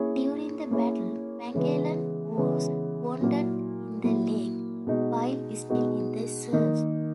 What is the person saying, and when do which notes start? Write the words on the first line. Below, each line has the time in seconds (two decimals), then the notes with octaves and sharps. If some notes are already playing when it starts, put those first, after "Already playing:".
During the battle, Magellan was wounded in the leg, while still in the surf.
Already playing: A#3 C#4 E4 G#4 C#5
0.71 A#3 C#4 E4 G#4 C#5
1.55 C#3 E3 G#3 B3
2.37 C#3 E3 G#3 B3
3.21 A#2 F#3 A#3 E4
4.04 A#2 F#3 A#3 E4
4.87 B2 G#3 D#4 F#4
5.70 B2 G#3 D#4 F#4
6.53 D#3 A#3 D#4 A#4